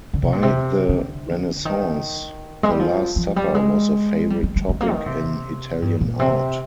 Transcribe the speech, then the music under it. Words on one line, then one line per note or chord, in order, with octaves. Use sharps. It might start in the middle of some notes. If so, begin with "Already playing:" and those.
By the Renaissance, the Last Supper was a favorite topic in Italian art.
D3
C3
A#2
C3
D3
D#3
G#3
G3
F3
F3
G3
G#3
G3
G#3
G#3
G#3
A#3
D#3
C3
G2
A#2
C3